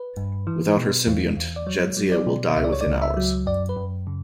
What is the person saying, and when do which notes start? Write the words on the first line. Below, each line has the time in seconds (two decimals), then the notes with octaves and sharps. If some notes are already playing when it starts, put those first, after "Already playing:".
Without her symbiont, Jadzia will die within hours.
Already playing: B4
0.17 G2
0.47 E3
0.77 B2
1.07 E2
1.37 E2
1.56 D5
1.67 F#3 C#5
1.97 F#3
2.12 D5
2.27 B2
2.57 C#2 E5
2.64 D5
2.72 C#5
2.81 D5
2.87 C#2
3.02 E5
3.17 F#3
3.46 F#2 D5
3.69 B4
3.76 F#2
4.07 C#3